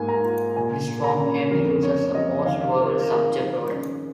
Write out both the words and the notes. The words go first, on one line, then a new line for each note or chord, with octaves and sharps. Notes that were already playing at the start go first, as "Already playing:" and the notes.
This form heavily uses a post-verbal subject order.
Already playing: G#2 A#3 G#5
A#5
F4
A#2 G#5
A#3
A#5
C#4
F2 A#4
C#4 C#5
F2 D#5
D#3 F5
F4 A#4
A#4
D#3 G#4
D#3
C#4